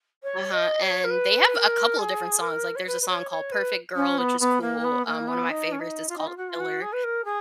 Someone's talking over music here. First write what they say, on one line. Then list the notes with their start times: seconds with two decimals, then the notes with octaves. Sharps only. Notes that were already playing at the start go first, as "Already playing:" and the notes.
uh-huh, and they have a couple of different songs, like, there's a song called Perfect Girl, which is cool, um, one of my favorites is called Killer.
0.23 C#5
0.52 D#5
0.82 C#5
1.04 A#4
1.10 B4
1.55 A#4
1.98 G#4
2.42 A#4
2.76 C#5
2.87 B4
3.02 B4
3.08 C#5
3.30 C#5
3.52 B4
3.96 C#4
4.18 B3
4.40 B3
4.61 A#3
4.84 B3
5.06 A#3
5.28 B3
5.50 D#4
5.72 C#4
5.80 D#4
6.09 F4
6.18 D#4
6.27 F4
6.37 F#4
6.49 F4
6.60 F#4
6.81 G#4
6.93 B4
7.04 A#4
7.25 G#4